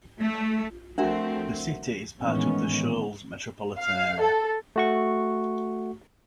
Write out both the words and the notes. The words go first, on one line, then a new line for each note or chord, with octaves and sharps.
The city is part of The Shoals metropolitan area.
A3
F3 A3 C4 D4 F#4 A#4 E5 F#5
A2 D#3 E3 G#3 B3 C#4
F5
A4
A3 F#4 C#6